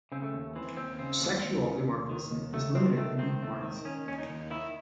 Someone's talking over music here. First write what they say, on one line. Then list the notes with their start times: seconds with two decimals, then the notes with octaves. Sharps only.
Sexual dimorphism is limited in equines.
0.12 C#3 C4
0.22 A3
0.33 D#2
0.56 E3 C4
0.77 D#2 C4
0.99 C#3 C4
1.21 D#2
1.44 D#2
1.65 C#3
1.87 D#2
2.09 D#3
2.31 D#2
2.53 D#3 A3
2.75 D#3 C4
2.97 D#3 A3
3.18 D#3 C4
3.41 D#2 A3
3.52 C4
3.63 D#3
3.85 D#3 C#4
4.06 D#2 C#4
4.18 D#4
4.29 D#2
4.51 D#3 E4